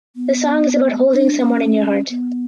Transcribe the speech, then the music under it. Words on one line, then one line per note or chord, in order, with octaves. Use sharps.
The song is about holding someone in your heart.
B3
D4
D4
C#4
B3